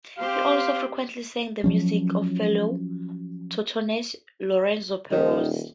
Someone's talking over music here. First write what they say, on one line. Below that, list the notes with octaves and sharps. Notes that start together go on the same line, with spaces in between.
He also frequently sang the music of fellow Tortonese Lorenzo Perosi.
C4 G4 C5 F5
F3 F#3 C#4
D#1 D#3